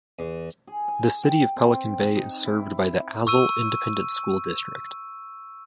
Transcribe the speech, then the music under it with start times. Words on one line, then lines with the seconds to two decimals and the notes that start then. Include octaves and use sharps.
The City of Pelican Bay is served by the Azle Independent School District.
0.19 E2
0.67 G#4
0.88 G#5
1.23 G5
1.56 C4
2.16 D#4
2.44 E4
3.27 C#6 E6 D#7